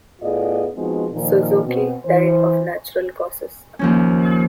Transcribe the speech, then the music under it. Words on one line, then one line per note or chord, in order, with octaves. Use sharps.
Suzuki died of natural causes.
A2 B3 F4 G#4 D5 D#5
F3 G#3 B3 C4 D#4 F#4
A#2 D#3 F3
B2 C4
E3 C5
D#2 F3 C#4